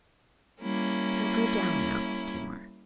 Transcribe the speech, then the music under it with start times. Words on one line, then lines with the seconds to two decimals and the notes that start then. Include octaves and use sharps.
'We'll go down now, Tamar.'
0.61 G3 A#3 C#4 E4